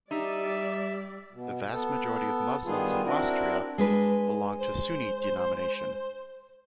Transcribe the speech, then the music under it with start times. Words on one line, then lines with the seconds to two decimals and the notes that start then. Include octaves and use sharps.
The vast majority of Muslims in Austria belong to Sunni denomination.
0.11 G3 D#4 G4 D5 E5
1.33 B2
1.73 B3 A4
2.65 D#3 G3 B3 F4 G#4
3.05 C4 D4 E4 F#4 A#4
3.78 G#3 D4 B4
4.59 C5